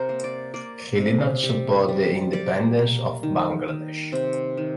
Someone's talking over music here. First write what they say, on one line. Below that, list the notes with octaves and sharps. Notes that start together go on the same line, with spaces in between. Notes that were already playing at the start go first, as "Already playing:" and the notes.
He did not support the independence of Bangladesh.
Already playing: C3 A#4 C5
A#3
D5
A#3 D5
C3
G3
G3
G3 D5
A#3
D#3
D#3
C3 C5
D#3